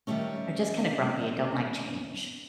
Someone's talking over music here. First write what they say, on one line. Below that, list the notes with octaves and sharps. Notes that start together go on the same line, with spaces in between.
are just kinda grumpy and don't like change.
D#3 F3 G3 A3 C#4